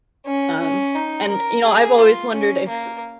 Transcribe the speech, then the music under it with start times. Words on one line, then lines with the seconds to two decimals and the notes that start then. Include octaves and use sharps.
um, and you know, I've always wondered if
0.26 C#4
0.60 C#4
0.94 D#4
1.29 A#4
1.64 G#4
1.98 F4
2.33 C#4
2.68 A#3